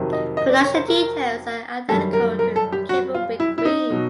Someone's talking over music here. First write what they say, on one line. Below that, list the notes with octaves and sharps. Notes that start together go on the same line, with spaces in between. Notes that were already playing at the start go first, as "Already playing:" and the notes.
Production details are identical to "Camberwick Green".
Already playing: F2 C3 D#3 F#3
D#5
D#5
D5
C#5
C5
A#4
F#2 D#3 G3 A4
A#4
A#4
A4
G4
F#4
F4
E4
E4
D#4
B2 F#3